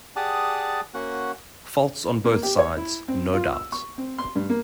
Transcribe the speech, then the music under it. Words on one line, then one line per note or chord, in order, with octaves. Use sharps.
Faults on both sides, no doubt.
G4 G#4 D5 F#5 A5 D#6
A#3 C#4 F#4 F#5
A#3
G4
C#5
E4
C4
F4
E6
C#6
C4
C6
G2
A#3